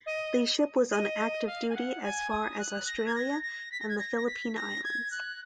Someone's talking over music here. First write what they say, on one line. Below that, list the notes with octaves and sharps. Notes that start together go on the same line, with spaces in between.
The ship was on active duties as far as Australia and the Philippine Islands.
D#5
D#5
F5
G#5
F#5
G#5
D#6
F#6
A#6
G#6
A#6
A#6
B6
A#6
G#6
A#6
A#6
B6
A#6
G#6
F#6